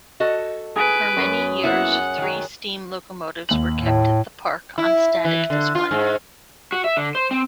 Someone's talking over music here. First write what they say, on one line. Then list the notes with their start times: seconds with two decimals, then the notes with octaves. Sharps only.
For many years, three steam locomotives were kept at the park, on static display.
0.20 F#4 A4 D#5
0.76 G#4 B4 D7
1.17 F#2
1.64 A#3 B3 E4 F#5
2.18 D#3 F#3
3.49 D#2 F#7
3.79 A2
4.78 E4
5.25 E3
5.50 D3
5.75 F4
5.91 G#2
6.72 F#4
6.84 E5
6.96 D3
7.15 C5
7.31 C4